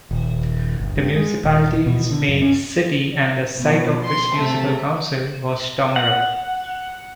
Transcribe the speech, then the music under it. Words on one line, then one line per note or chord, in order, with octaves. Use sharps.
The municipality's main city and the site of its municipal council was Tommerup.
D#1
G1
G2
G#3
D#1
B2
D3
F#2
C#4
B2 F3
C6
C3 A3
F#5